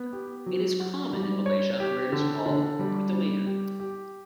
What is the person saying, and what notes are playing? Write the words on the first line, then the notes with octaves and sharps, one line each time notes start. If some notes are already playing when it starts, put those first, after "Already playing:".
It is common in Malaysia, where it is called "putumayam".
Already playing: B3
G4
F#3
F#4
G3
C#5
G4
D3
D3
G3
G3
G4
G4